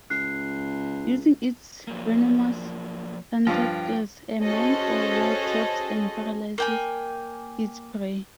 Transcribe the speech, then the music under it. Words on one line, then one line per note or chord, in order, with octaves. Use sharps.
Using its venomous tentacles, a man o' war traps and paralyzes its prey.
C#2 F#6 C7
F3 F#3 A#3
G2 F3 G5
C#4 F#4 G#4 A4 C5 D#5
A#3 G5 G#5